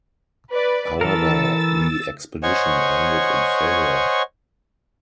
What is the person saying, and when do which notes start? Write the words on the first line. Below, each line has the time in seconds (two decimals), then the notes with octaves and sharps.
However, the expedition ended in failure.
0.51 B4 D5
1.01 E3 A4 A#4 E6 A6
2.43 C5 C#5 D#5 F#5 G#5 C#6